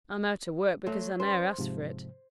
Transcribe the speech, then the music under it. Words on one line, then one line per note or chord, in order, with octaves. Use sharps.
I'm out o' work because I ne'er asked for it.
F#3 A3 C6
C#4 B4 C5 D5
G#2 C3 F3